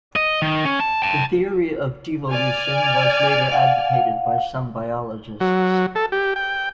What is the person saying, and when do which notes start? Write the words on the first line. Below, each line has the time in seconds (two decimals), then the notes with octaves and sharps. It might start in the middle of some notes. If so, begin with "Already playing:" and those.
The theory of devolution, was later advocated by some biologists.
0.16 D#5
0.42 D#3
0.65 C#4
0.80 A5
1.02 G5 A5
2.29 D5 G#5 F6
3.52 F5 F#5
5.40 F#3
5.95 A4
6.12 G4
6.36 G5